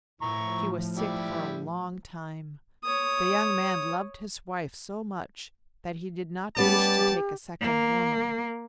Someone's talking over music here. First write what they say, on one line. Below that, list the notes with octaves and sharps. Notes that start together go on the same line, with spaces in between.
She was sick for a long time. The young man loved his wife so much that he did not wish to take a second woman.
A2 F3 E4 A#5 C#6
G3 E4 G4
C#5 D#6
G3 B3 C#4 G4 D5 A5
A#3